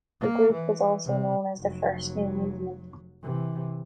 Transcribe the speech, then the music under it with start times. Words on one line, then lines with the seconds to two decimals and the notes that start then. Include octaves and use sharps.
The group was also known as the First New Movement.
0.21 A#3
0.53 E3
1.05 C3
1.58 F1 F#3
3.22 C3 E3